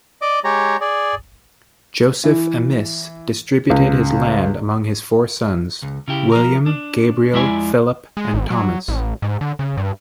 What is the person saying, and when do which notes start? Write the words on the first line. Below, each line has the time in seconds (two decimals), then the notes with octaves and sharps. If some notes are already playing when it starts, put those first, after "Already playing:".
Joseph Amiss distributed his land among his four sons, William, Gabriel, Philip, and Thomas.
0.22 D5 D#5 D6
0.44 G#3 G4 C#5 A#5
0.81 G#4 D5
2.24 E3
3.70 C#2
5.82 C#2
6.08 C#3 E4 G4
6.32 F3 A#4
6.66 D4
7.33 F2 G#3 E4 D5 E5 G#5
8.17 G#3
8.34 G#1
8.50 F#3
8.88 A1
9.22 G#2
9.41 D3
9.59 C#3
9.77 G2